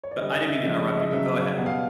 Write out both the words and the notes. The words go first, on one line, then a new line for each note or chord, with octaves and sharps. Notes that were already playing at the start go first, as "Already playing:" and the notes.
but I didn't mean to interrupt you but go ahead.
C#5
D5
D3 G3 D#5
D#5
E5
C#3 F3 G#3 E5
D#5
E5
D#5
C#3 F#3 E5
F5
B2 G3 F#5
F5